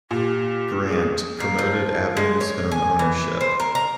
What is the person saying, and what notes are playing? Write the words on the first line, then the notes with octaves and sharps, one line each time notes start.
Grant, promoted Avenues home ownership.
A#2 G4
G#4
A#3
F3
G#3
C#5
G#5
E3
C5
A#4
A#5